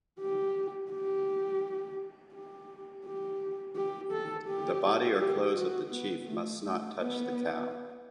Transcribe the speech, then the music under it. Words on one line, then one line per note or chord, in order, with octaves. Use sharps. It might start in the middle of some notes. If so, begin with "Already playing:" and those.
The body or clothes of the chief must not touch the cow.
G4
G4
G4
G4
G4
A4
G4
G4
F#4
B3
A3
A3
B3